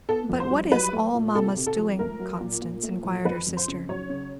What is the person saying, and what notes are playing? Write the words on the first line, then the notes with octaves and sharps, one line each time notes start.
"But what is 'all mamma's doing,' Constance?" inquired her sister.
B3 A4
F2
C5
G3
F#3 B4
A3
A#2
C3 A4
C3
A4
F3
A3 A#4
F#3
A#2
A#2
A3
F3
F2 B4
F2
C5
C#3
F#3 C#5
C#3